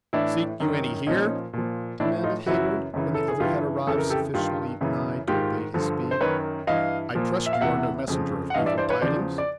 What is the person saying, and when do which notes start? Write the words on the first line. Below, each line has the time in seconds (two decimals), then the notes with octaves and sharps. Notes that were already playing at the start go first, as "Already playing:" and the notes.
"Seek you any here?" demanded Heyward, when the other had arrived sufficiently nigh to abate his speed; "I trust you are no messenger of evil tidings?"
0.13 A2 E3 D4 E4
0.60 F#2 D#3
1.07 A#2 F3 C#4 D#4
1.53 A#2 F3
2.00 A2 E3 D4 E4
2.23 D#4 F4
2.46 F#2 C#3 E3 E4 F#4
2.94 F#2 C#3 E3
3.14 A4
3.28 G#4
3.40 G2 E3 F4 G4
3.87 F2 C#3 E3 A4
3.98 A#4
4.10 G4 A4
4.34 G2 D#3 F4 G4
4.81 F#2 C#3 E3
5.28 G#2 D#3 F4 G4
5.74 G2 D3 F3
6.11 C5
6.21 F#2 D#3 B4 C#5
6.67 G2 E3 D#5 F5
7.15 A#2 F3
7.46 E5
7.53 F5
7.61 E2 C3 E3 E5 F#5
8.08 F2 C#3 F3
8.50 F#5
8.54 G2 E3 D#5 F5
8.66 D5 E5
8.78 C5 D5
8.89 B4 C#5
9.01 E2 C#3 F3 C5 D5
9.38 D5